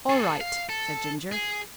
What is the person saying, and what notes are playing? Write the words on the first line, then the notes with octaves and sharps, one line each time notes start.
"All right," said Ginger.
G#4 A4
F5
A4
G#4